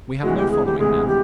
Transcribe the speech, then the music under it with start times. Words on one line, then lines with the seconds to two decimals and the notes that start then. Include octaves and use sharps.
We have no following--now.
0.23 D2 C3 E3 G#3 F#4
0.37 G4
0.51 G#4
0.65 G4
0.79 D2 C3 E3 G#3 G#4
1.08 G4